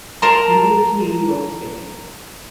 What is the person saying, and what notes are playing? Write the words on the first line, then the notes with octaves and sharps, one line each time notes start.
He moved to New York City.
A#4 A5 A#5 C6